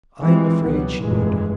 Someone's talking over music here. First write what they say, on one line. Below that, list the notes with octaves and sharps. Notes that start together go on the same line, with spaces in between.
'I'm afraid she would.
E3 F3 G3 G#3 C4
C#2 B2 F#3 G3 B3
F1 G2 A#2 E3 G#3